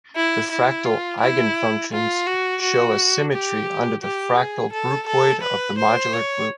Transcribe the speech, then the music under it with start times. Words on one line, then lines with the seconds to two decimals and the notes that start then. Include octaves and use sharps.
The fractal eigenfunctions show a symmetry under the fractal groupoid of the modular group.
0.16 E4
0.51 E4
0.85 F4
1.21 E4
1.92 F4
2.27 F#4
2.61 F#4
3.32 G4
4.02 G4
4.37 G#4
4.72 A4
5.07 A4
5.42 B4
5.78 C5
6.13 C#5